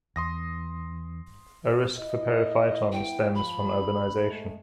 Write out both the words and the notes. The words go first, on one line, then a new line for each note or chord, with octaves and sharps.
A risk for periphyton stems from urbanization.
E2 C6 D#6 A#6
E4 D#5
B3 E4 G5
F3 B5
G#3 A3